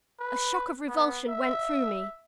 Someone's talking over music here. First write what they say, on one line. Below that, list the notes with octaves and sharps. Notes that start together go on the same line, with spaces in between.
A shock of revulsion went through me.
B4
B3
E5